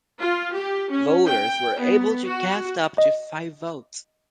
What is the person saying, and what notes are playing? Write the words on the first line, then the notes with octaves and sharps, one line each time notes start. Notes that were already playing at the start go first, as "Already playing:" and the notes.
Voters were able to cast up to five votes.
F4
G4
C#4
G5
B3
F#4
D#5